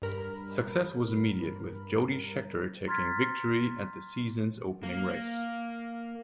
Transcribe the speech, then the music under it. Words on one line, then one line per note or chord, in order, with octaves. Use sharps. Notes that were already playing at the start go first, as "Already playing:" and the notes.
Success was immediate with Jody Scheckter taking victory at the season's opening race.
G2 A#4 B5
A#5 C6 F6 G#6 A6 B6
A#3